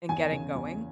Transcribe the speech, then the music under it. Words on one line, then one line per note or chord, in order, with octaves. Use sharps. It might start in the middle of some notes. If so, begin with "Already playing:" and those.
and getting going.
E2 G#5
C#3
E2